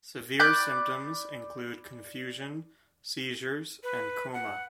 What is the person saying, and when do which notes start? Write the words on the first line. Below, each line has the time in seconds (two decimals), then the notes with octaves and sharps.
Severe symptoms include confusion, seizures, and coma.
0.40 D5 B5 F#6 G6
3.83 B4
4.34 F#5